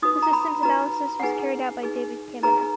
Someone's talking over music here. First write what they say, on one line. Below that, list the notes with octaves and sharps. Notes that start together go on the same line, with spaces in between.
The systems analysis was carried out by David Caminer.
D#4 F#4 B4 D#6
A#5
B5
D#4 F#4 B4 A#5
F#5
D#4 G#4 B4 G#5
D#4 G#4 B4
D#4 G#4 B4 A#5